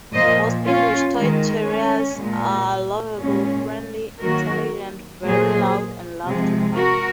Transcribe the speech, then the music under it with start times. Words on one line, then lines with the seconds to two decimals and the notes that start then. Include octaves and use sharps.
Most English toy terriers are lovable, friendly, intelligent, very loud and love to bark.
0.14 A#2 F3 A#3 C5 D#5
0.64 C#4 F4
1.15 D#3 G#3
1.67 C#4
2.18 A#2 G#3
3.19 A#2 G#3 C#4
4.21 D#3 F#3 A#3 F#4 A#4
5.23 A#2 F#3 A#3 G#4 C5
6.25 C3 F3 G#3
6.76 F#4 A#4